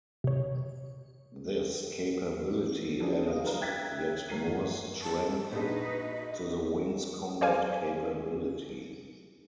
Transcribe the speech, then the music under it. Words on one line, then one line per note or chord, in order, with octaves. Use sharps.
This capability added yet more strength to the wing's combat capability.
C3 C#5
F3 F#3 C#4 D4 E4 G#4
D#5 F5
G3 D4 A#4 B4 F5
E5 G5 F#6 G#6 A6 B6
A3 A#4 C7 D#7
G1 F3
A5
A#1 D4 D#4 F#4 G#4 B4 D#5
C5 D5 F5 G#5